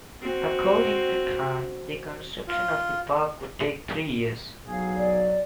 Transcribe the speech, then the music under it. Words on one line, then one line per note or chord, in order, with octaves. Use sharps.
According to Khan, the construction of the Park would take three years.
C4 F#4
F4
B1 F#3 G#4 F5
D5